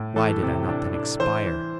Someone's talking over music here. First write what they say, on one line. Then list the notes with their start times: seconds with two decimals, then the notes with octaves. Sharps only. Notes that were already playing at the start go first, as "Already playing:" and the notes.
Why did I not then expire!
Already playing: A2
0.16 E3 A4
0.43 C3
0.69 D4
0.94 D4
1.20 E3 C5
1.46 E3